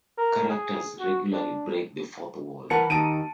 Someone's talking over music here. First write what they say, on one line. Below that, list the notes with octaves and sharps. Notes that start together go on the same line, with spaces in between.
Characters regularly break the fourth wall.
A#4
G#4
F#4
D4
E3 A#4 B4 F#5 A5 C#7
D#2 D#3 A5 D7 D#7